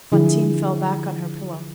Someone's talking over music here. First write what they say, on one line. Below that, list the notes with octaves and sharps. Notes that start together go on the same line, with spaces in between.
Fantine fell back on her pillow.
D3 F3 E4 G#4